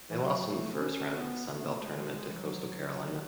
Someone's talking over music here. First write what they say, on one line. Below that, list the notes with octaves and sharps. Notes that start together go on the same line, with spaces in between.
They lost in the first round of the Sun Belt Tournament to Coastal Carolina.
E3
F#3
A3
C#4
B3
B3
A3
B3
A3
G#3
G#3
E3
F#3
D#3